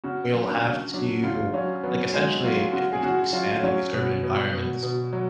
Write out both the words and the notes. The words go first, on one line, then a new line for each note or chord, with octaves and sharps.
we'll have to, like, essentially, if we keep expanding these urban environments,
C#3 F#4
F#3
D4
C#3
F#3 D4
C#3 F4
F#3 C#4
F#3 B3
F#3 G#3
F#3 F4
C#3 F#4
G#4
C#3 F#4
F#3 F4
F#3 C#4
B2
B2
B2
B2
F#3